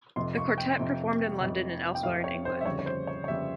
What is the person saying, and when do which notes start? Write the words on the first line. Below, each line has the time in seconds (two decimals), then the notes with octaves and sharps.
The quartet performed in London and elsewhere in England.
0.16 F1 F2 C3 C6
0.37 C#6
0.58 G5
0.78 F1 F2 C3
1.41 F1 F2 C3
1.95 G5
2.03 F1 F2 C3 F5
2.24 C#5
2.45 C5
2.61 E5
2.66 G1 F2 C#3 G3 C#5
2.79 C#5
2.86 C5
3.07 C#5
3.24 C#5
3.28 G1 F2 C#3 G3 E5